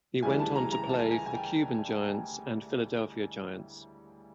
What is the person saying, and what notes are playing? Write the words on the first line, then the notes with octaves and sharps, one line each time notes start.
He went on to play for the Cuban Giants and Philadelphia Giants.
D2 C#3 E3 G3 G#5
A5
A#5
A#5
A5
G#5
G#5
G5